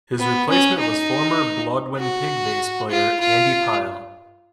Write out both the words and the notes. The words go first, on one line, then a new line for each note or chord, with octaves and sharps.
His replacement was former Blodwyn Pig bass player Andy Pyle.
B3
C#4
D#4
F#4
F4
F4